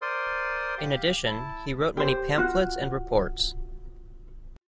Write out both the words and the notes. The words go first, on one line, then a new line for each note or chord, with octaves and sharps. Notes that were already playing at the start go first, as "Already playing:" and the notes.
In addition, he wrote many pamphlets and reports.
A#4 C5 D5 C6 D#6
G4 F5
E4 A5
G4 C5
F4 F#4